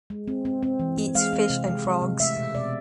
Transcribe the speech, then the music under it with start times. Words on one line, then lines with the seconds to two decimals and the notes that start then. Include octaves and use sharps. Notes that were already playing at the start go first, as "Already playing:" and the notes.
Eats fish and frogs.
0.10 G#3
0.28 C4
0.45 C4
0.63 C4
0.80 E3
0.98 C4
1.15 G#3 F5
1.33 C4
1.50 C3
1.67 G#3
1.85 G#3
2.02 C3
2.20 A3 E5
2.37 B2
2.55 B2 D5